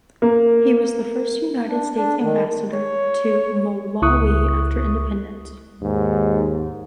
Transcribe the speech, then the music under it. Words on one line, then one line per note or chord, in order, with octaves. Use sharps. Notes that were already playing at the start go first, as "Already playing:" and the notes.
He was the first United States Ambassador to Malawi after independence.
A#3
D4
D4
D#3
C#5
C#2 E4 C#6 D#6 F#6
D#2 G#2